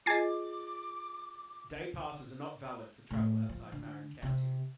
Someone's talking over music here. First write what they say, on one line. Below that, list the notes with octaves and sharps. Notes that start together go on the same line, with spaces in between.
Day passes are not valid for travel outside Marin County.
F4 G#4 D#5 G#5 D6 A6 C7
A2
F3
D3
C3